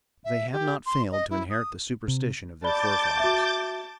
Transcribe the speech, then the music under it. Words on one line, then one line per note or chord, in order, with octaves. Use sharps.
They have not failed to inherit the superstition of their forefathers.
E5
G4
C6
D#5
E4
D#6
C3
D5 A5 B5 D6 G6 A6 G7
F#4 E5